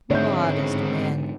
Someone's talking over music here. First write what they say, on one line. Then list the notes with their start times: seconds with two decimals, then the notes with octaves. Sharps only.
'Modest man!
0.11 G#2 D3 G#3 C4 C#5 E5 G6